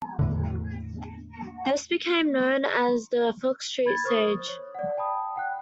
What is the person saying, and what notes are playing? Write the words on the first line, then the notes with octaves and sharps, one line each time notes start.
This became known as the Fox Street Siege.
E2 A2 D3
B5 G#6 A6
A#4 C5 C#6 D#6
C#5
D5 F#5
G5 A5 B5 D#6
F#5 G5 F#6